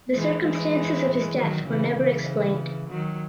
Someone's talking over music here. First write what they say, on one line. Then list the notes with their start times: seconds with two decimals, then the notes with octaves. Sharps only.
The circumstances of his death were never explained.
0.14 E3 G#3
0.45 E3 G#3
1.37 D#3 F#3
1.68 C#3 E3
1.98 C#3 E3
2.90 D#3 F#3